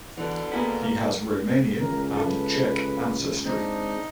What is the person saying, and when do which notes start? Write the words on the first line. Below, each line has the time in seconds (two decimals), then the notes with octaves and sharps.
He has Romanian and Czech ancestry.
0.17 B2 D3 E3
0.52 A#3 B3 E4 G#4
1.78 C#2 A#4
2.17 A4 B4
3.45 G#3 C4 D4 D#4